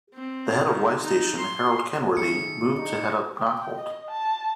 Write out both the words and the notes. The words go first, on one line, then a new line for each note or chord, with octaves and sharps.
The head of Y station, Harold Kenworthy, moved to head up Knockholt.
C4
D#3
D#4
C6
D#3 F#3 A3 C#4 G#4 A4 C#7
D4 D#4
G5
D#5
A5